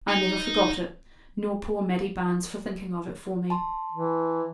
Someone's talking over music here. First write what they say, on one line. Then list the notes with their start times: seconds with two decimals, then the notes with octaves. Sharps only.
I never forgot it, nor poor Maddie Barnes for thinking of it for me.
0.09 D#4
3.50 A5 C6
3.92 E3